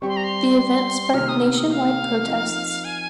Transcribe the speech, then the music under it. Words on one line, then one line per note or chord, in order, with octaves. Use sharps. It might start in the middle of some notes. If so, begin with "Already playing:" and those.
The event sparked nationwide protests.
G3 C4 G4 C#6
C6
A#5
C6
C3 D#3 A#3 F6
D#6
F6
D#6
F5
F3 C4 D#4 A#4
G#5